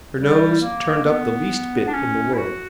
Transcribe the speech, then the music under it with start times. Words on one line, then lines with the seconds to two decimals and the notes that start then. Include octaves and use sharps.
Her nose turned up the least bit in the world.
0.16 G3
0.60 A#3
1.05 B3
1.87 D4
1.94 C#4
2.33 E4
2.38 F#4